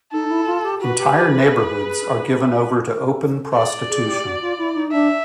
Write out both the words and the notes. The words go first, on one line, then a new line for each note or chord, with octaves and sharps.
Entire neighbourhoods are given over to open prostitution.
D#4 A4
E4
F4
G4
F#4 B4
G4
G4
G#4
A4
A#4
A4
A4
G#4 D5
G#4
G4
F#4
F4
E4
D#4
D4 E5